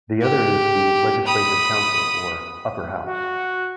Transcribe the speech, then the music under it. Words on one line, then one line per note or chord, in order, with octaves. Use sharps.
The other is the Legislative Council or Upper House.
G4
B5 D#6
F#4